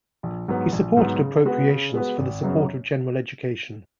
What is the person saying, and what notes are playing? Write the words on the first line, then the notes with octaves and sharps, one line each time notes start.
He supported appropriations for the support of general education.
A#1
G#2 F#3 B3
A#1
G#2 F#3 B3
C#3
G#3 B3 F#4 B4
C#3
G#3 B3 F#4 B4
G#1
F#2 C#3 F#3 B3